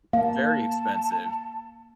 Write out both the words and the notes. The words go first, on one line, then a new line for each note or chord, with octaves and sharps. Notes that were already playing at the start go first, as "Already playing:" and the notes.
very expensive,
A#3 F5 A5